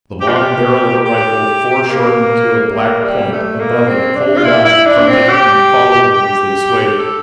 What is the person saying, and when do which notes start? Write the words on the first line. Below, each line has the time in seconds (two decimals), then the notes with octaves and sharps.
The long barrel of a rifle, foreshortened to a black point, above it a cold eye, fronted and followed them as they swayed.
0.21 G4
0.29 F4
0.37 G4
1.05 G4
1.90 A#3
2.74 A#3
3.03 G3
3.32 A3
3.60 A#3
3.88 C4
4.16 D4
4.37 F4
4.44 E4
4.65 E4
4.86 D4
5.07 C4
5.29 G4
6.13 G4
6.98 A4